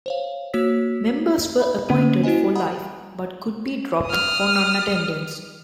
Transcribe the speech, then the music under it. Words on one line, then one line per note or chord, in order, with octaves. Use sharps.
Members were appointed for life but could be dropped for non-attendance.
C5 C#5 F5
A#3 F#4 C#5 E6 B6
E5 B5
D3 A#3 C#4 D#7
E4 F#4 C5 D#5 G#5
F#5 A#5 B5 D#6
D#6 F6